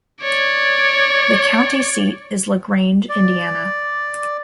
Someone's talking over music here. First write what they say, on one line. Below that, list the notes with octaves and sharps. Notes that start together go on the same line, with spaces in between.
The county seat is LaGrange, Indiana.
C#5 D5
D5